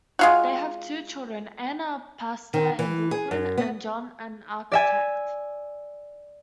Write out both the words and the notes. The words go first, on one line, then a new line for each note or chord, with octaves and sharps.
They have two children: Ann, a pastor in Brooklyn, and John, an architect.
G#3 F4 F#4
D#3
E3
G#4
F#2
B3
D5 E5 G#5